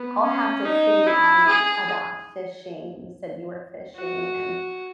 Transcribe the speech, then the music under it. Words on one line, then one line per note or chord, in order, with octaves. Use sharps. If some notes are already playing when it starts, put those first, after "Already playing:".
I'll have to see, um, about fishing. You said you were fishing, and
Already playing: B3
C#4
D#4
E4
G#4
F#4